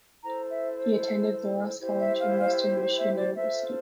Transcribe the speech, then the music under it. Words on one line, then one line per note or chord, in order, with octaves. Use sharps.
He attended Loras College and Western Michigan University.
E4 A4 C5 A#5
E5
E4 G4 C5
E5
F5
F5
E5
D5
F4 A4 C5 E5